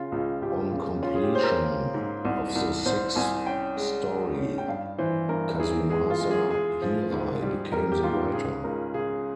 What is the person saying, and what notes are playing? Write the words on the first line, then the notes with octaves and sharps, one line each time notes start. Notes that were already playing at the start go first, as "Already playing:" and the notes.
On completion of the sixth story, Kazumasa Hirai became the writer.
Already playing: C#3 F4
C#2
C#2 G4
C#3
C#4 F4
G#4
G4
C#4 C5
A#4
A#3
G#2
C2
C2
C2 C5
C2 G#5
C#4 G5
G#3
G#3
C#4
G5
G2 F5
E3 C5
G2 A#4
E3 G#4
G#3 G#4
F4
G#3
G#4
G#3 G#4
F3
G#2
G3
G3 A#4
G4
G#2 F4
C#3 G#4
C#2 A#4
C#3 G#4